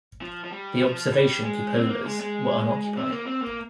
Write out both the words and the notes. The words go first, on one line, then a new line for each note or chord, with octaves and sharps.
The observation cupolas were unoccupied.
F3
F3
G3
F3
G3
G#3
C4
A#3
G#3
G#3
C4
A#3
C4
A#3